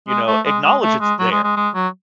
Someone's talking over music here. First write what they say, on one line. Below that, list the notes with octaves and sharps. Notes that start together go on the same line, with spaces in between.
You know, acknowledge it's there.
G#3
A3
G#3
G#3
A3
G#3
F#3
G#3
G#3
G#3
F#3